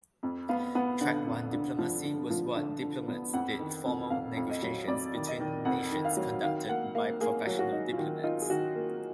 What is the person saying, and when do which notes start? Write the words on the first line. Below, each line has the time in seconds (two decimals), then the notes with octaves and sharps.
Track One diplomacy was what diplomats did-formal negotiations between nations conducted by professional diplomats.
0.23 F2
0.49 B3 F5
0.75 B3 F#5
1.01 D3 F#5
1.27 F2
1.53 D3
1.79 F3
2.05 D3
2.30 F3
2.56 D3
2.82 D3
3.08 B3
3.33 F2 F#5
3.59 D#3
3.85 F2
4.10 F2 F5
4.36 F2
4.49 D#5
4.62 F#3
4.88 F2 D5
5.14 D#3
5.27 D#5
5.40 D#3
5.65 F2 F#5
5.92 D#3
6.05 F5
6.17 F#3
6.43 D#3 F5
6.69 A#3 F#5
6.95 A#3 F5
7.21 A#3 G#4
7.47 F#3
7.59 F#4
7.72 D#4
7.93 F4
7.97 D#3 F#4
8.24 D#4 F4
8.42 G#4
8.50 D#3 F#4
8.75 A#3